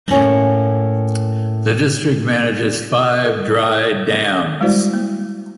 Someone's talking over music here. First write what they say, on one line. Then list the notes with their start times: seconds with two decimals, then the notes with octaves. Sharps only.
The district manages five dry dams.
0.11 A2 A#3 C#4
3.25 A4
4.61 G3 G#3 E4 F#4 C5 D5
4.93 A#3